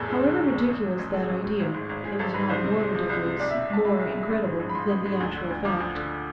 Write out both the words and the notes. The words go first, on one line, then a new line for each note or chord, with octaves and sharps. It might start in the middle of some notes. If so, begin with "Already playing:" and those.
However ridiculous that idea, it was not more ridiculous, more incredible than the actual fact.
Already playing: F1 E2 A2 A4
G#3
D3
F1
E2
A1
A2
A1
G#3 A4
A1
A2
G#1
G#2
G#1
G#3 G#4
G#1 A4
G#2 B4
C2 C5
C3
G#3
F3
C2
C3
B1 D5
B2 E5
B1 A5
G#3 B5
B1
B2
A1
G#2
A1
B5
F3 C6
A1
G#2
D2
D3
D2
F3 D6
D2
D3